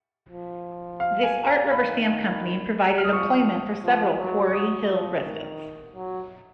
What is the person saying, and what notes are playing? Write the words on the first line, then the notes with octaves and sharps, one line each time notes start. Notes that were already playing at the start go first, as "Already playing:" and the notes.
This art rubber stamp company provided employment for several Quarry Hill residents.
F3
F5
G#5
A#5
D#3 B5
F6
D#6
F3 C#6
F3
F#3
C#6
F#3 D#6
F3
D#3
F#3